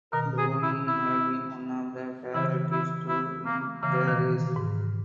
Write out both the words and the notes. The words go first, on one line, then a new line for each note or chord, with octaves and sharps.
Dooney had been one of the favourites to win the race.
B2 D#3 A#4
G#4
E4
E4
C#3 E3 E4
E4
E4
A#3
C#3 E3 A#3
B2 D#3
G#2